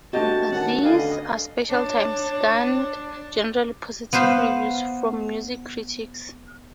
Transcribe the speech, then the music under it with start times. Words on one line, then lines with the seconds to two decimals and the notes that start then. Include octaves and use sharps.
"These Are Special Times" garnered generally positive reviews from music critics.
0.13 A3 D4 F#4 G4 D#5 A5
0.52 D#3 C#4 F#5 A5
0.84 D3 B4 D5 D#5 F5 G#5
1.69 D4 C#5
4.13 B3 B4 C5 F5